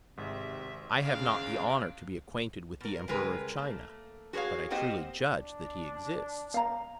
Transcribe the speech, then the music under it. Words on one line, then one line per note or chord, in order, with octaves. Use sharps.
I have not the honour to be acquainted with the Emperor of China, but I truly judge that he exists.
G#1 G#2 C3 E5
E2 C#3 D4 F5 G5
B2 A#4
C#3 G3 G#3 A#4 B4
A3 A#3
F#4 G#4 A#4 C#5 F5
A#3 C4 G4 C5 D#5 F#5
D4
F5 A#5